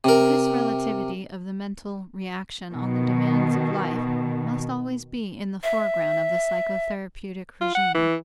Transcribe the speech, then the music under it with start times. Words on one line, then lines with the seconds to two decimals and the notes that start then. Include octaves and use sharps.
This relativity of the mental reaction on the demands of life must always be in the foreground of the psychotherapeutic regime.
0.04 C3 A#4
2.73 B2 D#3
5.64 E5
7.61 F4
7.75 F#5
7.94 E3